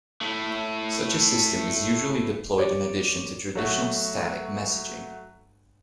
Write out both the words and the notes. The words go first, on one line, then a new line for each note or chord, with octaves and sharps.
Such a system is usually deployed in addition to traditional static messaging.
A3 E4
G4 C#5 D5
F#3 A3 F#4